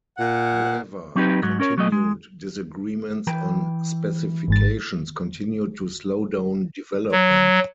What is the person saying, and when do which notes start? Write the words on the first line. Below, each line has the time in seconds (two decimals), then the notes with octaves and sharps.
However, continued disagreements on specifications continued to slow down development.
0.17 A#2 F#5
1.15 F#3 C4 D#4 G4 B4
1.42 G#2 F#3
1.60 C#4 A#4 C#5
1.78 F#3 A3 D#5
1.92 G#3
3.27 E3 B4 G5
4.48 G#1 G#2 A6
7.11 F#3